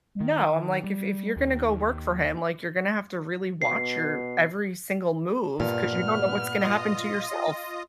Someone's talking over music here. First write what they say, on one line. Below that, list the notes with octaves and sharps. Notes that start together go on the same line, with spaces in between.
No, I'm like, "If if you're gonna go work for him, like, you're gonna have to really watch your every single move 'cause you don't know what's gonna happen to yourself."
D#3
G3
D#2
B2 C7
G2 A#2 B3 F6
F4 D#5 D#6